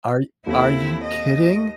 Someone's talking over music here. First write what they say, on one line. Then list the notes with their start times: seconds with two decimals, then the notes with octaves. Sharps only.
Are are you kidding?
0.46 D#2 A3 B3 C4 E4
1.04 D#5